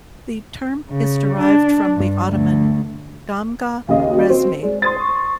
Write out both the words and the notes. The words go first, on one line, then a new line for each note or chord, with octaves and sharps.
The term is derived from the Ottoman damga resmi.
C#3
D4
G2
D2
D#2 C#3 D#5 F5
F#4
C4
G#3 D5
C5 C6 D#6 A6
C#6